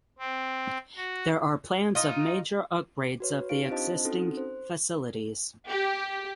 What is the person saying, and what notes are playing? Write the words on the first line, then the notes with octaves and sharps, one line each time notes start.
There are plans of major upgrades of the existing facilities.
C4
F#4
D#4 F4
F#4 B4 C#5
D#4 G4 F5 D7
C4 D4 F4 C5 D#5 A5
C4 C#4 D#4 F#4 A4
C5
G4